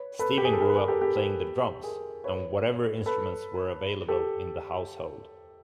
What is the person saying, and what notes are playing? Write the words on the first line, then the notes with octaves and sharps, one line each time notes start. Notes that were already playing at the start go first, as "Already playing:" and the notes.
Steven grew up playing the drums and whatever instruments were available in the household.
Already playing: B4 C#5
A4 B4
G4
G#4
A4
G#4 A#4
B4
G#4 A#4
G4 A4
G4 A4
G#4 A#4
B4 C#5
A4 B4
G4 A4